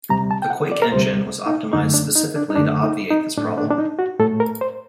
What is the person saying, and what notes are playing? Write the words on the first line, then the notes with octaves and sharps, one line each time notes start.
The "Quake" engine was optimized specifically to obviate this problem.
D2 C3 G3 A#5
A5
G5
F#5
D5
A#4
D2 C3 G3 C5
D#4
F#2 D3 A3 D#4
D4
D#4
D4
D#4
F#2 D3 A3 D4
D#4
D#4
A2 A3 D4
D4
D4
D#4
F#4
A2 A3 A4
A#4
C5